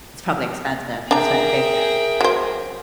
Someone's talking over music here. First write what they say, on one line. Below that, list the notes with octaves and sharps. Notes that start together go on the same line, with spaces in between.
It's probably expensive that's what I figured.
D4 G#4 A#4 E5 G5 A#5
F#3 C5